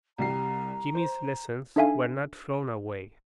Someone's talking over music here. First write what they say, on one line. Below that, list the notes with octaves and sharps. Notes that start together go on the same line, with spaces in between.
Jimmy's lessons were not thrown away.
C2 G3 A#5 C7
C5
D4 D#4 A4 E5 F5 G#5